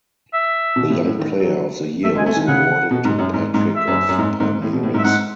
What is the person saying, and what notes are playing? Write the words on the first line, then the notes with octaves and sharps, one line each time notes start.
The Young Player of the Year was awarded to Patrick of Palmeiras.
E5
B2
A2
A2
D#3
F#3
A3 E5
G#3
G#5
A3
G#5
D#3
C#3 F#5
B2
G#2
F#2
G#2
G#2
E5
F#2
F#2
G#2
G#2
A2
B2
A2
G#2
E5
G#2 F#5